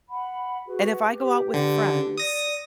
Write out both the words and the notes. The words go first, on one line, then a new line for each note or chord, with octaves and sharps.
and if I go out with friends,
F#5 B5
F#4 G#4 B4
G4 B4
D3
D5 D#6 A#6